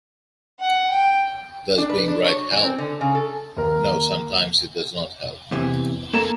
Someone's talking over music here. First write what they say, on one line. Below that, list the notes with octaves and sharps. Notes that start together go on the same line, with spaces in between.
Does being right help? No, sometimes it does not help.
F#5
G5
D4
B4
D4
C#5
F#3
E3
C4
D3
C#3
A4
D#2 A#4
E2 C3 E3
A#3 A4 A5 A#5